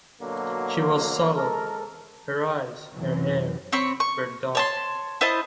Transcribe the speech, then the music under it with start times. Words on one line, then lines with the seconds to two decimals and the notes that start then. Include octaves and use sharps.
She was sallow; her eyes, her hair, were dark.
0.21 B2 D3 F#3 A#3
1.34 G#3 A4 A#4
2.94 F#2 C3 E3 F#3
3.73 C4 C#5 B5 C#6
4.00 C#6
4.55 C#5 A5 C6
5.21 E4 C5 D#5 A5